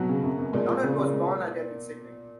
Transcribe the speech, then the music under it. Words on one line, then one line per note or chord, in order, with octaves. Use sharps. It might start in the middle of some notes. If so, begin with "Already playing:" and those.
Lonard was born at Epping, Sydney.
Already playing: B2 F#3 B3
C#3
F#2
F#2
A#2 G#3 A#3
F3
C#3
C#3
G#3